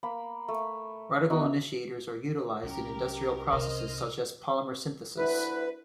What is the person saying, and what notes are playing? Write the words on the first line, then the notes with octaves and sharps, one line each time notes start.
Radical initiators are utilized in industrial processes such as polymer synthesis.
A#3 B5
A3
B3 D#4 E4 F#4
C2 F#3 C#4 G4 A#4
C3 A#4 C5 D#5 F6
D2 E4 B4